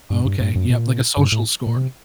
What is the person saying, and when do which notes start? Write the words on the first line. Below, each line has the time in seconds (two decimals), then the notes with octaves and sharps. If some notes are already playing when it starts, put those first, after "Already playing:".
Okay, yup, like, a social score.
0.10 G2
0.25 G2
0.40 G2
0.55 F#2
0.70 A#2
1.17 G2
1.32 A2
1.67 A#2
1.77 C3